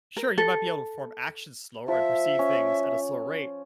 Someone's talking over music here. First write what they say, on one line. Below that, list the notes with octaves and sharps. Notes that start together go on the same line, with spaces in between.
Sure, you might be able to perform actions slower and perceive things at a slower rate,
A#4
A4
F3 E5
C#4